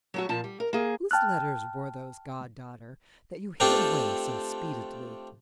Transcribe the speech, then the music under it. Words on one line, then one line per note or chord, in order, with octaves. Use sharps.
Whose letters were those, god-daughter, that you hid away so speedily?'
F#3 A3 F#4
A#2 F3 A5
G3
A#4
A#3 G#4
G5 A5 F6 F#6
A3 C4 D4 F4 G4 A4